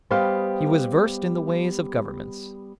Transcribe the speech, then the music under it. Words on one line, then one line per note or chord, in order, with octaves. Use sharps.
He was versed in the ways of Governments.
G3 B3 G4 C5 D#5 F5